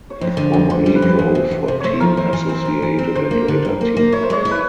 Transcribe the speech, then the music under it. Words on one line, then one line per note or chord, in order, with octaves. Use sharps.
He formerly drove for Team Associated and later Team Losi.
C#5
F2 C5
D3
F2
D3 C5
G3
B4
F2
B4
E2 C5
C3
E2
C3 C5
A3 C5 C#5
F3 A#4
E3 C5
E3
C4
E3
E3
C4
D3 C5
A#3
D3
G2
A#3
A#3
E4 C#5
C5
G#3 C#5
E4
B4